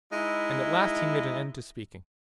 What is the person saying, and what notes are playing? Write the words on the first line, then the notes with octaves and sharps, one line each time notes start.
And at last he made an end to speaking.
G#3 D#4 E4